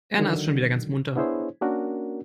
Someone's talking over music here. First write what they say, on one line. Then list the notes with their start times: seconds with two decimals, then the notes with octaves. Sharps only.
Erna ist schon wieder ganz munter.
0.18 D3 D#3 F#3
1.16 B3 D4 E4 G#4 C5 C#5
1.61 A#3 C#4 D4 F#4 A#4